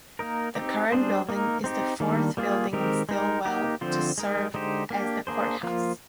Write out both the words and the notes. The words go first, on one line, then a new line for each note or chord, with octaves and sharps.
The current building is the fourth building in Stilwell to serve as the courthouse.
A#3 D#4 A#4
C4 D#4 G4
G3 D4 G#4 C5
A#3 D#4 A#4
C4 D#4 G4
D#3 G3 A#3 D4
G3 A#3 F4 G#4
D#3 G#3 C4 G4 A#4
G#3 D#4 A#4
A#3 D#4 G4
D3 F3 C4 F4 C5
G#3 D#4 A#4
D3 G#3 D#4 G4 C5
A#3 D4 G4
A#3 D4 G#4 C5
F3 A#3 F4